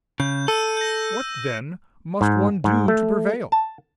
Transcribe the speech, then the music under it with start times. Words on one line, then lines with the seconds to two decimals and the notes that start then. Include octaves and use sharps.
"What, then, must one do, to prevail?"
0.20 C#3 G6
0.48 A4 E6 D#7
0.77 G6 A#6
2.21 G#2
2.64 G#2
2.88 A3
3.52 A5